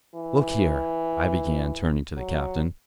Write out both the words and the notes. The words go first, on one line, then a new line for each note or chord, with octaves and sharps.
"Look here," I began, turning to the captain.
E3
F#3